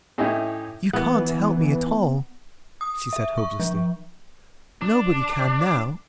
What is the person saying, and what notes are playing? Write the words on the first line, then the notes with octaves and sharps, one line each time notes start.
"You can't help me at all," she said hopelessly, "nobody can now."
A2 C#4 D#4 E4 G4 E5
E3 B3
D#6
E5
C#6
F3
D4